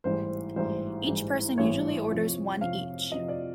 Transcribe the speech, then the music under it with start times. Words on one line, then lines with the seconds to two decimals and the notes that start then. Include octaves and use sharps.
Each person usually orders one each.
0.04 A1 G#2 E3 G3 C5
0.56 A1 G#2 E3 G3 C5
1.07 A1 G#2 E3 G3
1.58 A1 G#2 E3 G3 C#5
2.10 F2 C3 F3
2.61 F2 C3 F3 F5
3.11 F2 C3 F3 D#5
3.28 D5